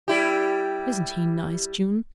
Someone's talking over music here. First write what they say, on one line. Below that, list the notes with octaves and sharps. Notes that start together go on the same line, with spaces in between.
"Isn't he nice, June?"
G3 E4 G4